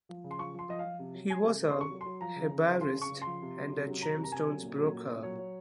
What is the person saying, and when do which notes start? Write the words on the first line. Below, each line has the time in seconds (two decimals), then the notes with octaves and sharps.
He was hebraist and gemstones broker.
0.09 F3
0.24 C#3
0.31 C6
0.39 F3 C#6
0.54 F3 C6
0.69 F3 D#5
0.79 F5
0.84 F3
0.99 C3
1.15 F#3
1.30 F#3 G#5
1.45 C3
1.60 C3
1.70 C6
1.75 C3
1.81 C#6
1.90 F#3
2.01 F#3 C6
2.21 F3 A#5
2.36 C#3
2.51 C#3
2.67 C#3
2.81 C#3 C6
2.97 C#3 C#6
3.11 C#3
3.22 F3 C6
3.42 C3
3.57 F#3
3.73 C3
3.87 F#3
4.02 C3 A#5
4.18 C3
4.23 A#5
4.32 C3 G#5
4.48 F#3
4.63 A#2
4.78 F#3
4.93 A#2
5.08 A#2
5.23 F#3 C#5
5.39 F#3